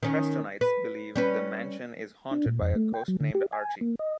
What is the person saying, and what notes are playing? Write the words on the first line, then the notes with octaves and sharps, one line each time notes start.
Prestonites believe the mansion is haunted by a ghost named Archie.
D#3 C#4
B4
G3 C#4 B4
D4
A#2
F2
A3
G5
F#3
D3
G4
G#5
A#3
D#5